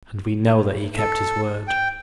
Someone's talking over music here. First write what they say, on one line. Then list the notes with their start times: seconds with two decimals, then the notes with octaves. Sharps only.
And we know that he kept his word.
0.98 A4
1.68 G5